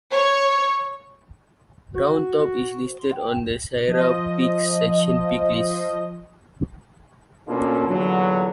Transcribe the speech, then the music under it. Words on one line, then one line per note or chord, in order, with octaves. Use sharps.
Round Top is listed on the Sierra Peaks Section peak list.
C#5
F#4
F3 D#5
B2 A#3 C#4 D4 F4 A4
E2 A#2 D3 F#3